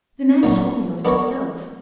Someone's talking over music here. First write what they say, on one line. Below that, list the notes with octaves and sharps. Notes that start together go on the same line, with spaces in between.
The man told me of it himself.
A#2 F#3 C#4
B3 D4 A#4 C#5